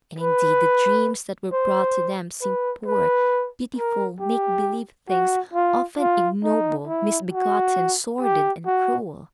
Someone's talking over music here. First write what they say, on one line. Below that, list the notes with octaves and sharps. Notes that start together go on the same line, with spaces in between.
And, indeed, the dreams that were brought to them seemed poor, pitiful, make-believe things, often ignoble, misbegotten, sordid, and cruel.
B4
C5
B4
B4
A#4
G4
F#4
F4
F4
D#4
E4
F#4
G4
F#4